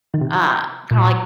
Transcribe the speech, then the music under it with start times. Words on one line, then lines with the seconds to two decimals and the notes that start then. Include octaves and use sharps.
Uh, kinda like
0.14 D#3
0.21 C3
0.91 A#2